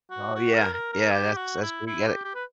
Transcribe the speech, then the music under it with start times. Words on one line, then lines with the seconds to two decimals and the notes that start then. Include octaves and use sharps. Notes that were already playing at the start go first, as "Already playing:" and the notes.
Oh, yeah. Yeah, that's that's what you gotta
0.11 F#4
0.35 F#4
0.55 A#4
0.74 A#4
0.93 A#4
1.12 G4
1.37 F#4
1.62 E4
1.87 E4
2.07 G4
2.25 G4
2.35 B4